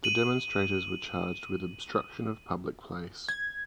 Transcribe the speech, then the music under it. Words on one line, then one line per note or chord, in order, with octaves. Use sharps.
The demonstrators were charged with obstruction of public place.
D#7 F#7
G#6